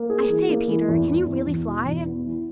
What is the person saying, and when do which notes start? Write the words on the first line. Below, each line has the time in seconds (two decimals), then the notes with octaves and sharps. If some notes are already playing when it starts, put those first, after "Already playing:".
"I say, Peter, can you really fly?"
Already playing: A#3
0.10 G#4
0.29 E3
0.49 A#3
0.68 E3
0.88 E2
1.08 E2
1.27 E2
1.47 E2
1.67 B2
1.85 E2
2.06 B3
2.25 E3